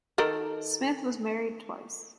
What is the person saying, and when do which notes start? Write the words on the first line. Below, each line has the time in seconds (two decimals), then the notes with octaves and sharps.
Smith was married twice.
0.18 D#3 A4 A#4